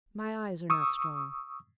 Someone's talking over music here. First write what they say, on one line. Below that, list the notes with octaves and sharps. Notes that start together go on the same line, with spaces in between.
"My eyes are not strong."
C#6 D#6 E6